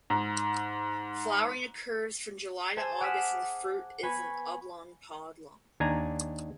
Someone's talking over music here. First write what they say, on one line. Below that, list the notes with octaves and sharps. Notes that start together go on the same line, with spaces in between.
Flowering occurs from July to August and the fruit is an oblong pod long.
G#2
G#4 C5 G#5 A5
F#5 D6 D#6 F6 B6 E7
B3 G#5 B5 C#6
D#2 D4 G#5 A#5